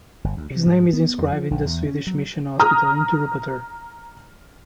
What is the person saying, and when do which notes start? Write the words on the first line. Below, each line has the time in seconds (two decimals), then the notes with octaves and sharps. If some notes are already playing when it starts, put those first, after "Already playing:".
His name is inscribed in the Swedish Mission Hospital in Tirupattur.
0.24 G1
0.37 D2
0.50 C3
0.66 G#2
0.93 B3
1.18 F2
1.32 F3
1.51 A#1
1.66 E2
1.87 C#4
2.07 F#3
2.60 A#5 D#6 F6